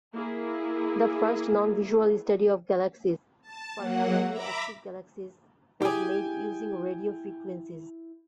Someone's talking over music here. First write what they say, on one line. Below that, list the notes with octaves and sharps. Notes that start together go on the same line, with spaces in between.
The first non-visual study of galaxies, particularly active galaxies, was made using radio frequencies.
A#3 E4 G#4
A5
F#3 A#3 F#5
E5 A#5 B5 D6
E4 G4 G#4 G5 G#5